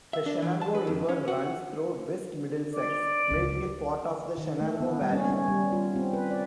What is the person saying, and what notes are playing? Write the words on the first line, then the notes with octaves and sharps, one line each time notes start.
The Shenango River runs through West Middlesex, making it part of the Shenango Valley.
E5
D4
E3
A5
B4
F2
C#4
F#4
D5
C#2
D#3
A3
B3
G3
C#4
C#4
G3
F4
C4
B4
D5